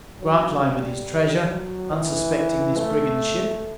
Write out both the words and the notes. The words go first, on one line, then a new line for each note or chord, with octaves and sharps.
Grantline with his treasure, unsuspecting this brigand ship.
F#3
G3
F#3
E3
A3